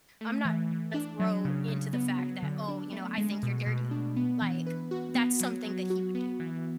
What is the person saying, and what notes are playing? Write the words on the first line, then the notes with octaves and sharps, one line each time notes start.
I'm not a throw into the fact that, "Oh, you know, I think you're dirty," like, that's something that he would do.
A3
E3
E3
D4
F#3
C#3
C#3
B3
F#3
D3
D4
A3
G#3
B2
B2
D4
B3
E3
B4
F#4
B3
F#3
F#3
F#4
B3
E3